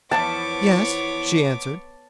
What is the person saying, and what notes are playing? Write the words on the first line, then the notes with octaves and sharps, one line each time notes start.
"Yes," she answered.
E2 F3 B3 E4 C#5 A5 D6